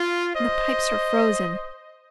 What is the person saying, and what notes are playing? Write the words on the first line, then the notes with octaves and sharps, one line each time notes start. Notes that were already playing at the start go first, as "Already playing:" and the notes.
The pipes are frozen.
Already playing: F4
C5 D#5